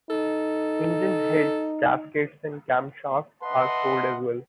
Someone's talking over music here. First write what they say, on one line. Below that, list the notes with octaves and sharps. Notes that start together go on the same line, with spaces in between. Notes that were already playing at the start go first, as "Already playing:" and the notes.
Engine head gaskets and camshafts are sold as well.
D#4 A4
B4 D#5 E5 F#5 A5 C6